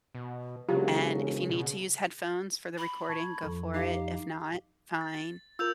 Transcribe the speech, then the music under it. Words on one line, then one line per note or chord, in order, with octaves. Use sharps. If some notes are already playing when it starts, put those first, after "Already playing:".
And if you need to use headphones for the recording, go for it. If not, fine."
B2
E1 C#3 F#3 F4 G4
B2
B5
A5 C#6 G#6
F2 A4
D#4 G4 F5 D6 C7
A6
F4 A#4 E6 G6 F7